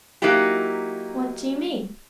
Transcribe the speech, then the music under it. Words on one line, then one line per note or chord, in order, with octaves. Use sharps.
What do you mean?
F#3 A#3 D#4 E4 G4